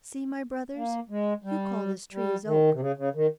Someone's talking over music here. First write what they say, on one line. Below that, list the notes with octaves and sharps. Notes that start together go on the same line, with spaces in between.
See, my brothers, you call this tree his oak.
A#3
G#3
G3
G3
D#3
C3
C#3
C#3
D#3